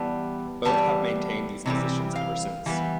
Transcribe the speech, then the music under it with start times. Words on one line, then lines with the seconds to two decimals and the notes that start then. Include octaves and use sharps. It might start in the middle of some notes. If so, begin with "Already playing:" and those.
Both have maintained these positions ever since.
Already playing: E3 G3 B3 A5
0.65 E3 G3 B3 A5
1.66 C3 E3 G3 C4
2.16 F5
2.66 E3 G3 B3